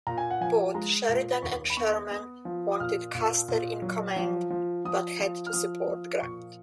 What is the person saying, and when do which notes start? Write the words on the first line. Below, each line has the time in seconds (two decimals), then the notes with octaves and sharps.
Both Sheridan and Sherman wanted Custer in command but had to support Grant.
0.07 A#2 A#5
0.18 G#5
0.30 F#5
0.41 F3 G#5
0.74 G#3 A#5
1.09 A#2
1.32 B5
1.43 D#2 C#6
1.70 B5
1.77 B3 C#6
2.11 B3 D#6
2.45 F3
2.72 D#6
2.80 A#2 F6
3.15 A#2
3.48 A#2
3.82 F#3
4.16 F3
4.50 F3
4.85 F3 D#6
5.20 F3
5.47 F6
5.53 F3 D#6
5.88 F3
6.21 A#2 C#6